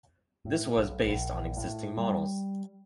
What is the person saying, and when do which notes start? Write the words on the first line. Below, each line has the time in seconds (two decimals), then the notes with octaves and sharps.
This was based on existing models.
0.45 A2
0.77 B1
1.07 A#1
1.57 A2
1.98 G3